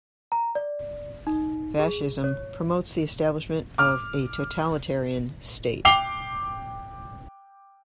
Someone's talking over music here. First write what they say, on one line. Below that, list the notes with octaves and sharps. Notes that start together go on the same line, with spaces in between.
Fascism promotes the establishment of a totalitarian state.
A#5
D5
D#4
G#4
C#5
D6 F6
G5 D6 C7 F7 G7